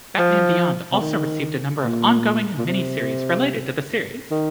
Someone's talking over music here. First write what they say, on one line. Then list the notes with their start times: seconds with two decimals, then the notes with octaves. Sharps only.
Batman Beyond also received a number of on-going and mini-series related to the series.
0.19 F3
0.92 C3
1.01 D#3
1.84 A#2
2.58 A#2
2.66 C3
4.31 D#3